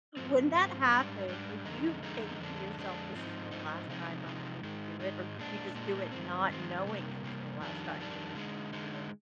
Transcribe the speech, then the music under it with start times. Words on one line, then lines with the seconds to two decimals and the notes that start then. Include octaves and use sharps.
when that happened, did you think to yourself, "This is the last time I'm going to do it," or did you just do it not knowing it was the last time you were going to do it?
0.17 G#2 F3 C4
0.53 G#2 F3 C4
0.91 G#2 G3 D4
1.28 G#2 G3 D4
1.65 F2 D3 G#3 D#4
2.02 F2 D3 G#3 D#4
2.40 F2 D3 G#3 D4
2.77 F2 D3 G#3 D4
3.14 G#2 F3 C4 D#4
3.51 G#2 F3 C4 D#4
3.88 C3 F3 G#3 C4 D#4
4.26 C3 F3 G#3 C4 D#4
4.63 G#2 D#3 G#3 D#4
5.00 G#2 D#3 G#3 D#4
5.38 A#2 G#3 D4
5.75 A#2 G#3 D4
6.12 G2 D#3 G#3 C4
6.48 G2 D#3 G#3 C4
6.86 C3 G3 A#3
7.23 C3 G3 A#3
7.61 F2 D#3 G3 D4
7.98 F2 D#3 G3 D4
8.35 D3 G#3 D#4
8.73 D3 G#3 D#4